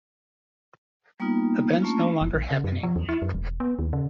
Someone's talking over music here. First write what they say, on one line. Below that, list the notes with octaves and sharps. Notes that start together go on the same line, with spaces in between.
Events no-longer happening.
G3 A#3 B3 D#4 F4
A3 A#3 C#4 D4 F4
F#1
A#1
C#3
F#2
F3
E2
E4
F#2
E1
B3
D#2
C#3